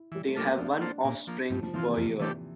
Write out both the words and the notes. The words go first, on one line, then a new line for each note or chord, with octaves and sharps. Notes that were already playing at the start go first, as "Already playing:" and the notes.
They have one offspring per year.
Already playing: E4
E3 G3
A3
G3 A#3 D4 F4 A4
C4
F3 D4
A#3 F4 A4 C5
A#2
F3 A#3
G2 F3
F3
E3 F3 C4 F4
C3
F2 A#2
E3 A3 D4 G4